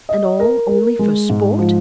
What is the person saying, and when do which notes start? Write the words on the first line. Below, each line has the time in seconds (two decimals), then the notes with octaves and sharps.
And all only for sport?
0.09 D#5
0.40 A#4
0.69 A#4
0.99 G#3
1.29 G#2
1.59 F3